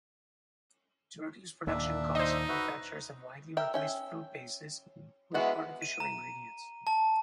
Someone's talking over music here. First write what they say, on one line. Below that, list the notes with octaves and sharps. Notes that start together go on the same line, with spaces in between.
To reduce production costs, manufacturers have widely replaced fruit bases with artificial ingredients.
D#2 A#2 D#3 D4 E5
D#4 C5 D#5
F#4 B4 E5
A#4 E5 G5
C#4 E5 G5
G#3 B3 E4 F#4 F#5
D#7
A#5
A5